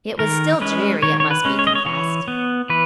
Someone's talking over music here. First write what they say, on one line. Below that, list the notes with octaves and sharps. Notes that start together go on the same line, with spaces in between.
It was still dreary, it must be confessed.
D#3 A#4
G#3 C#4 B4
D#3 C#5
C#5
B4
G#3 C#4
C#5
D#5
C#5
E3 C#5
B3
E3 B4